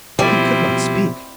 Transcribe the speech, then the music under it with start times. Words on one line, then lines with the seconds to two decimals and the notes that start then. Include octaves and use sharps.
He could not speak.
0.19 B2 F3 G3 C4 E4